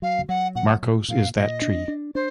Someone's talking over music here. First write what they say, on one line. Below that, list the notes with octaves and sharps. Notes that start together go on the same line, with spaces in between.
Markos is that tree.
F#3 F5
F#3 F#5
A#2 F#5
A#2
A#2 F5
A#2 D#5
D4
D4
D4 C5